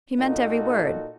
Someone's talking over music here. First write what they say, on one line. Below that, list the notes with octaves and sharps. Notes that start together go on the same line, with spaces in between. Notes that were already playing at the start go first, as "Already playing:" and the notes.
He meant every word.
A#2 D#4 F#4 A4